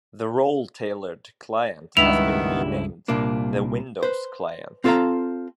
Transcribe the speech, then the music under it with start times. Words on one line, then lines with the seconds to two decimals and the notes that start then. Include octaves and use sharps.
The RoleTailored Client has been renamed the Windows Client.
1.97 C#2 G2 D#3 B3 E4 E5 F7
3.08 C2 A#2 A#3 D4
4.03 B4 C5
4.84 C4 F4 A4 C5 F5 A#5